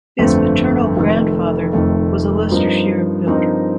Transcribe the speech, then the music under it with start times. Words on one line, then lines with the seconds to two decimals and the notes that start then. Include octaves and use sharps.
His paternal grandfather was a Leicestershire builder.
0.19 G1 F2 D3 A3 C4
0.97 F1 F2 D#3 A3
1.73 F1 F2 D#3 A3
2.51 G2 F3 C4 D#4 A#4
3.27 G2 F3 C4 D#4 A#4